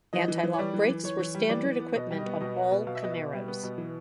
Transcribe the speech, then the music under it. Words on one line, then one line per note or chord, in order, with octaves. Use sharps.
Anti-lock brakes were standard equipment on all Camaros.
E3 D#5
E3
E3
C#5
G3 D5
E3
E3
E3 C#5
E3
G3
E3 D5
E3
B3
B2 D#5
G3
D#5
B3
B2 D#5
B3
B2
B2 F5
E5
B3 D#5
E5
B2
G3
B3
B2
E3